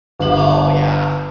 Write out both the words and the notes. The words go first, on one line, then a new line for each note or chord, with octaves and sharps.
Oh, yeah f
G1 F#7